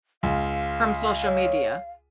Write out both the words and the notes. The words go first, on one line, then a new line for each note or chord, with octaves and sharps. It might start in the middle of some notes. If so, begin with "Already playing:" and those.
From social media.
C#2 F5
C#5